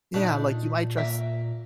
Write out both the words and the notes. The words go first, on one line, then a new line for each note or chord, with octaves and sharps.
Yeah, like, you might dress
A#2 A3 D4 D#4
A#3 E5 G5